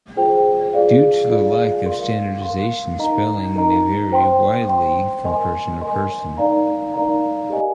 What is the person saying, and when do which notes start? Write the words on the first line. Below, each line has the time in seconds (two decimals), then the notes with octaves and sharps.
Due to the lack of standardisation, spelling may vary widely from person to person.
0.17 F4 G#4 C5 G5
0.73 F4 G#4 D5 F5
1.29 F4 G#4 D5 F5
1.86 A#4 F5 C6
2.42 A#4 F5 C6
2.99 D#4 A#4 D#5 A#5
3.55 D#4 A#4 D#5 A#5
4.12 C5 G5 C6
4.68 C5 G5 C6
5.25 A#4 D#5 G#5 C6
5.81 A#4 D#5 G#5 C6
6.37 D#4 A#4 D5 F5 A#5
6.94 D#4 A#4 D5 F5 A#5
7.50 G4 A#4 D#5 G#5